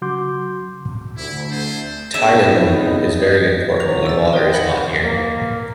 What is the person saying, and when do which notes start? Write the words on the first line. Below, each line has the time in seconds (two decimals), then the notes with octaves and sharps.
Tayammum is very important when water is not near.
0.02 C#3 F#3 F#4 C6 D6 G6
1.17 D2 E4
1.50 G#4 A4 C5
2.14 C#3 B3 D#4 D#5 E5
3.80 E3 F#3 F7
4.06 E6 A6
4.33 A#4 C5 D#5 G5
4.52 F#5 B5 A#6
5.03 A#3